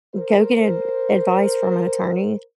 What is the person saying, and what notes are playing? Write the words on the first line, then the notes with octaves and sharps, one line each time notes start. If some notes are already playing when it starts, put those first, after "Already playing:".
go get a advice from an attorney
A#4 C5